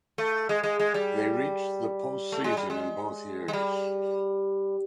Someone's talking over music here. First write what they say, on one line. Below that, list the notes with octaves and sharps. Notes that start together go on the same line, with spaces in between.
They reached the postseason in both years.
A3
G#3
G#3
G#3
G3
A3
G#3
G3
G#3
G#3
G3